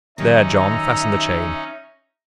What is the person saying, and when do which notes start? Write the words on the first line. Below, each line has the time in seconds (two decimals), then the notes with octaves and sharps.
There, John, fasten the chain.
0.18 D#3 F#3 C#4 D#4 G4 E5 A#5